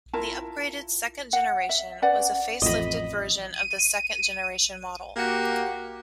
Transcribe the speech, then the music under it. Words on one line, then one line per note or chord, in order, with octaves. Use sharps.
The upgraded second generation was a facelifted version of the second generation model.
E4 F4 A#4 A5
F#5
E5
C#4 B4 D5 F#5
A1 F2 D#5 B5
D#7
A#3 F#4 G4